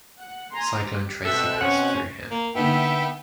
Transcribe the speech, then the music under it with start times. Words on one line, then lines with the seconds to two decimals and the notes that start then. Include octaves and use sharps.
Cyclone Tracy passed through here.
0.19 F#5
0.51 G#5 A#5 C6
0.80 G4
1.25 B2 C4 A4 C5 E5 G5 F#6
1.61 C#4 F#5
2.31 A#3
2.55 D3 A#3 B3 D#4 E5 G5